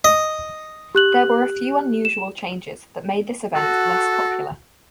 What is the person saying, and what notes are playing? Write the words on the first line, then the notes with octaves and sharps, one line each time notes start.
There were a few unusual changes that made this event less popular.
D#5
G4 F#6 F#7
E7
F#4 A4